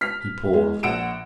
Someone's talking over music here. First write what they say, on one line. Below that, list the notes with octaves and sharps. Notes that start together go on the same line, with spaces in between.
He paused.
F6 B6
G#3
A#1 F#5 E6 D7 E7